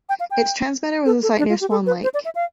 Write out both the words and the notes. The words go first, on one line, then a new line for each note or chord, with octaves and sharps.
Its transmitter was at a site near Swan Lake.
G5
F5
G5
A4
A4
D4
F4
G4
A4
B4
C5
D5
E5
F5